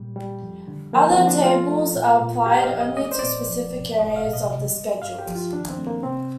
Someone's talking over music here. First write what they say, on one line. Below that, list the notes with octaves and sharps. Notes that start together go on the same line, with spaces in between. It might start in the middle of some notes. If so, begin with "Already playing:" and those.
Other tables are applied only to specific areas of the schedules.
Already playing: A#2 G3
G3
F2
D3
F3 A#3
C4
F3
D4
A3 F4
A3
A#2
A#2
F2 G4
D#5
F5
F2
D#5
A3 D#5
D5
C5
A#2 D5
F3
G2
A2 D#5
D#5
F5
A2
D#5
G3
G3
G2 F5
G4
F3
F4
D#3 D4
C4
A3
A#3
C3 C4